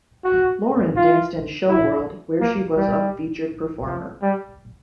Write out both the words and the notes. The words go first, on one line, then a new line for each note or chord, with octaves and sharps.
Loren danced in Show World, where she was a featured performer.
F#4
F4
E4
A#3
G3
F3
G3